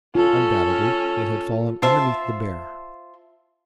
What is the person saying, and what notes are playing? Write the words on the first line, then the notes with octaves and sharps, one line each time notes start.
Undoubtedly it had fallen underneath the bear.
C#4 F4 A4
F4 C5 E5 A5